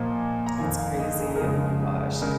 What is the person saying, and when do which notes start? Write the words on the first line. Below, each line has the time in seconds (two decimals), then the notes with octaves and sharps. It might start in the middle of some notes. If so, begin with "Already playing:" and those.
It's crazy. Oh my gosh.
Already playing: A#2 F3 A#3 D#5
0.46 A#5
0.57 F2 D#3 A#3 G#5
0.79 F5
0.99 D#5
1.19 G#4
1.36 A#4
1.40 F2 C#3 F3 G#3 G#4
2.22 C#3 G#3 A#4